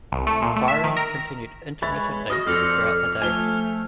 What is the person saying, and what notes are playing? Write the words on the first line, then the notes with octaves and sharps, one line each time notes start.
Firing continued intermittently throughout the day.
C2
A3
A#2
A3
E5
D#3
A#4
G#3 B4 C#5 E5 B5 A6
F#4 D#5 D#6 F6 A#6
F2 A4 C5 D5 E6 F6
F3 A3 A4 G#5 G7